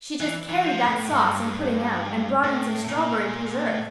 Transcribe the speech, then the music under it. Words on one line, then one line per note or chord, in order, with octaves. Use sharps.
She just carried that sauce and pudding out and brought in some strawberry preserves.
E3
E3
F3
A2
G2
A2
A#2
A2